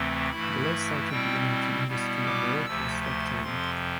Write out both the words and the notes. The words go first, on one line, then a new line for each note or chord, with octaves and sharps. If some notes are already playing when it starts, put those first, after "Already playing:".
The law started the energy industry on the road to restructuring.
Already playing: D2 C3 E3 A3 C4
G2 E3 A3 E4 B5
B2 G3 C4 E4 G5
B2 G3 B3 E4
D6
D2 C3 F3 A3 E6
C6
F2 C3 F3 C4 C6